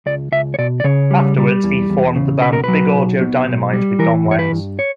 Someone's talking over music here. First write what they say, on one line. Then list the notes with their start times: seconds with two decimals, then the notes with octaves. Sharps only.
Afterwards, he formed the band Big Audio Dynamite with Don Letts.
0.06 C#2 D5
0.32 C#2 E5
0.54 C#5
0.59 B2 D5
0.80 D5
0.84 C#3 C#5
1.11 G3
1.37 G3
1.64 E2
1.89 E2
2.15 C#3
2.41 B1 B4
2.53 A#4
2.64 F#3 B4
2.94 B1
3.21 B2
3.48 B1
3.73 G3
3.99 E3 A#4
4.26 G2
4.31 C#5
4.39 B4
4.52 G2
4.79 C#5